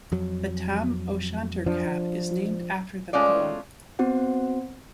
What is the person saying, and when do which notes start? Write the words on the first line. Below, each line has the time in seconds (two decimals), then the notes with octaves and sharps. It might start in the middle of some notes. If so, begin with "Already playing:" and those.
The Tam o' Shanter cap is named after the poem.
0.12 F2 F#3
1.66 F3 D4
3.13 G#3 A3 C#4 F4 D5
3.99 B3 C4 F#4 C5 F#5